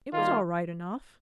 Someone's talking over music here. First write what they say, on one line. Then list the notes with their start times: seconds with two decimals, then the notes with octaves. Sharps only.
It was all right enough.'
0.13 D#3 G3 A#3 F4